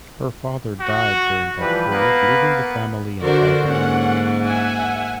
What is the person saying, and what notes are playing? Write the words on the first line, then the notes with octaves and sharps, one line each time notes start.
Her father died during that period, leaving the family in poverty.
F#4
E3 F3 G3 B4
A#3 B3 B4 B5
D3 F#4 A#4 C5 D5
G#2 A#3 C#4 F#5
E5 F#5 G#5